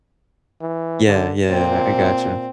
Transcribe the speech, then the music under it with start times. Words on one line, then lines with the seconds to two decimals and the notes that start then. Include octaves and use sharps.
Yeah, yeah, I I gotcha.
0.61 E3
1.06 D3
1.49 A#2 C4